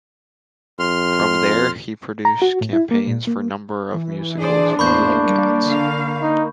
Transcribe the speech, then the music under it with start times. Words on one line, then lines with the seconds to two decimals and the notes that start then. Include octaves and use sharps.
From there, he produced campaigns for a number of musicals, including "Cats".
0.79 F2 C6 F6
2.25 A#5
2.42 F#4
2.61 A2
2.73 E4
2.91 A#3
3.07 A#2
3.27 A#3
3.94 E3
4.38 D4 G#4 C5 D5
4.79 E2 A2 A#3 C5 B5 C#6 G6
5.22 G3
5.65 D3 F5
6.22 D#4